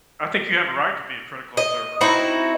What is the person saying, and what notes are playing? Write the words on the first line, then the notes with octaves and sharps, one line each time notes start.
I think you have a right to be a critical observer.
D#5
C4 D#4 E4 F#4